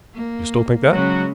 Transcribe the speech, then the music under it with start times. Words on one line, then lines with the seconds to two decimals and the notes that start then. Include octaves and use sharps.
You still think that?
0.14 A#3
0.92 C#3 F#3 G#3 F#4